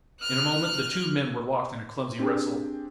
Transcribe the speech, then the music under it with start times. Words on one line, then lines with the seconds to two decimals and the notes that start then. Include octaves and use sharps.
In a moment the two men were locked in a clumsy wrestle.
0.20 F6 F#6
2.19 C4 D4 G4 G#4